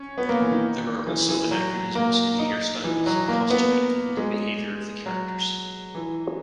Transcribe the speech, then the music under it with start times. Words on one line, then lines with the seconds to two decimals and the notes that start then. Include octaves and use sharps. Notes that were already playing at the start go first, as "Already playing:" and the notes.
There are also anachronisms in hairstyles, costuming, and the behavior of the characters.
Already playing: C#4
0.18 B3
0.29 A#3
0.40 E3
0.51 D#3
1.07 E3
1.29 E3
1.51 F#3
1.95 A#3
2.39 D#4
2.84 E3
3.06 F#3
3.28 A#3
3.50 B3
4.17 G#3
5.06 F#3
5.95 E3